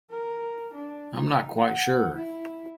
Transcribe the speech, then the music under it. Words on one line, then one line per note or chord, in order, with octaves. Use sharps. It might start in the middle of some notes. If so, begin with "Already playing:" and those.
I'm not quite sure.
A#4
D4
D#4
F#5
E4